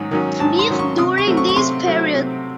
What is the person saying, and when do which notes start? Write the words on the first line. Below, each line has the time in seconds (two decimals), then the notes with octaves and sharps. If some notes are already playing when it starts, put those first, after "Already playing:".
Smith during this period.
Already playing: G#2 D#3 F#3 C#4
0.11 D#3 F#3 C#4
0.40 G#2 A5
0.59 C6
0.70 D#3 F#3 C#4
0.79 C#6
0.98 C3 D#6
1.18 C#6
1.27 F#3 A3 C4
1.37 C#6
1.49 C#6
1.56 C3 C6
1.85 F#3 A3 C4
2.15 C3